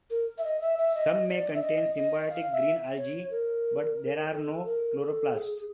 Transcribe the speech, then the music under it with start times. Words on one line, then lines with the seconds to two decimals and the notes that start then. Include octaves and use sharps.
Some may contain symbiotic green algae, but there are no chloroplasts.
0.10 A#4
0.38 E5
0.44 D#5
0.61 E5
0.78 E5
0.95 D#5
1.29 D5
1.54 E5
1.62 D#5
1.96 D#5
2.30 F5
2.52 E5
2.97 C#5
3.31 A#4
4.32 A4
4.65 A#4
4.99 A4
5.32 G#4